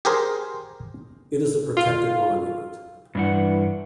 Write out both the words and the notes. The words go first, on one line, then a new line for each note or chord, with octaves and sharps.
It is a protected monument.
G4 G#4 A#4 C5
F4
G2 E3 D4 F#5